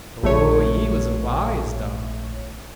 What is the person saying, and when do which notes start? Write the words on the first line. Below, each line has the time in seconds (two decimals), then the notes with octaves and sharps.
Oh, he was a wise dog.
0.23 A#1 A3 C#5